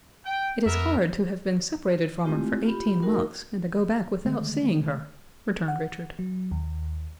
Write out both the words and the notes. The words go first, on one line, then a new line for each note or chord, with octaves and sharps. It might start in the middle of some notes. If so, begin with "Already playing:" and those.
"It is hard to have been separated from her for eighteen months, and to go back without seeing her," returned Richard.
G5
F2 B3 A#4 E5
G#3 A3 C4 E4 F4 G4
F4 G4 B5
A3 D#4 F#4 A#4 G5
D3 D#3 G#3 A3
F#5
F#3
D#2